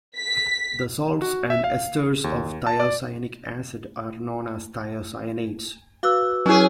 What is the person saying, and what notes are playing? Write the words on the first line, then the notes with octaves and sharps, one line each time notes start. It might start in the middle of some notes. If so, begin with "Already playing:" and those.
The salts and esters of thiocyanic acid are known as thiocyanates.
B6
F#4
E5
F5
D#2
A5
D5
F#4 B4 F5 D6 E6 F#6
F#3 C#4 E4 G#4